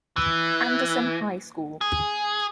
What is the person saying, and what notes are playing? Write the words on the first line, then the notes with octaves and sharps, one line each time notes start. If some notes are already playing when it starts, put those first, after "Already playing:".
Anderson High School.
E3
G#4